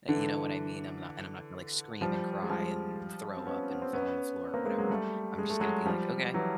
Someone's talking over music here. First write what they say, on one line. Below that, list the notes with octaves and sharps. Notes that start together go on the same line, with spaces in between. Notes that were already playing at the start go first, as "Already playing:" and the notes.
Uh, you know what I mean? I'm not and I'm not gonna, like, scream, and cry, and throw up, and fall on the floor or whatever. I'm just gonna be like, "Okay.
D3 E3
F3 G3
G#3
F3 G3
C4
B3 C#4
B3
C4
B3 C#4
A#3 C4
G#3 A#3
F#3 G#3
G3 A3
G#3
A3
F#3 G#3
F3 G3
E3 F#3